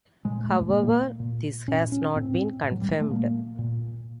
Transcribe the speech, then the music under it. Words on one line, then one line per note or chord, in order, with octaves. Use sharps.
However, this has not been confirmed.
A#2 G#3
A3
A#2 A#3
A#2
A#2 C#4
C#4
A2 C4
A2
F#3
G3
G#3
A3
A#2 A#3
A#2